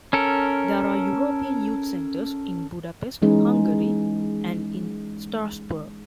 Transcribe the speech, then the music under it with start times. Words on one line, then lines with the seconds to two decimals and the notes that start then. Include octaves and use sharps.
There are European Youth Centres in Budapest, Hungary, and in Strasbourg.
0.13 C#4 A4 A#4
3.22 E3 G#3 C#4 D#4 G#4